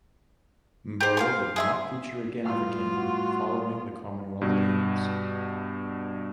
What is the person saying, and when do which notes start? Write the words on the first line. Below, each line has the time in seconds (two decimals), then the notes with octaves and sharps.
Mboya did not feature again for Kenya following the Commonwealth Games.
1.01 G4 C5
1.17 F5 G#5 C6
1.56 G#4 E5 C6
2.45 A2 G3 B3 F4
2.94 F#4
4.41 G2 B2